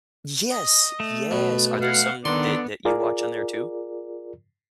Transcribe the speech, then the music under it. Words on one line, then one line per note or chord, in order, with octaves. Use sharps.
Yes! Yes. Are there some that that you watch on there too?
D#5
A3
B2 B4
F5 F#5
D3 D#3 B3 D5 C6
F4 G#4 A#4 D5